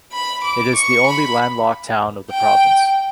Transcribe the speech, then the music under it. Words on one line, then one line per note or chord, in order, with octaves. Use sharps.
It is the only landlocked town of the province.
B5
D6
C#6
B5
G5